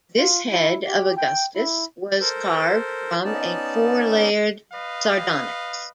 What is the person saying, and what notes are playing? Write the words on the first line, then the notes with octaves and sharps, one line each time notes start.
This head of Augustus was carved from a four-layered sardonyx.
F4
E4
G4
G5
E4
A4 A#4 C5
B3 C#4 D#4 D5 A5
B4 D#5 F5